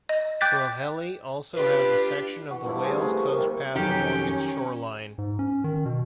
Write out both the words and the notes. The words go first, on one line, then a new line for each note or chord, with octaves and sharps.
Pwllheli also has a section of the Wales Coast Path along its shoreline.
D#5
G5 D6 F#6 G6 A6 B6
D4 F4 G4 B4
E3 F#4
G2 F3 D4 E4
C#3 A3 G#4 C5
C3 A3 B4 C#5
A#3
C3 D#3 G3 A#3
F2 D#3 F#3 C#4 G4 G5
G#2
C#4
D#3
B2